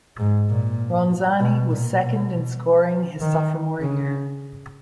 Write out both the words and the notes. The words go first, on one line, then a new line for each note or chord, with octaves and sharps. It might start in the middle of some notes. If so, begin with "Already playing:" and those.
Ronzani was second in scoring his sophomore year.
G#2
A#2
B2
A#2
B2
D#3
C#3